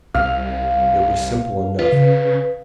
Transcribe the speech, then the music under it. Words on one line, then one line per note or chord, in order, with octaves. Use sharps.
It was simple enough.
C2 F5
F4 B4
C#3